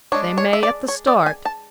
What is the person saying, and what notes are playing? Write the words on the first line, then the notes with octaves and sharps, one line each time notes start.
"They may at the start."
G#3 D4 C#5
C#5
E5
D5
C#5
D5
G#5
A5